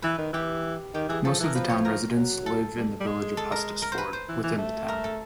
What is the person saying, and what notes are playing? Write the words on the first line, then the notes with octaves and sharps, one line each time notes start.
Most of the town residents live in the village of Hustisford, within the town.
E3 B4
D#3
E3 G4
D#3 G4
E3 G#4
F3 A4
E3 A#4
F3 B4
C#5
A#4
F#3
A4
G3
G3
G#3
A4
A#4
A#4
C5
B4
C5
E3
E3
A3
A#4
A4